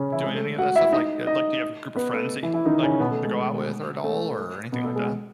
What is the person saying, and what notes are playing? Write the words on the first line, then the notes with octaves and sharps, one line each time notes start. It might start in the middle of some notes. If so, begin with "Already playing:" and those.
doing any of that stuff? Like, uh, like, do you have a group of friends that you like to go out with or at all, or anything like that?
Already playing: C#3 C#4
E3 E4
G#3 G#4
A3 A4
F#4 F#5
E4 E5
D#4 D#5
D#4 D#5
B3 B4
A3 A4
E3 E4
E3 E4
D#3 D#4
C#3 C#4
B2 B3
A3
G#3
A3
B2 B3
A3 A4
G#3 G#4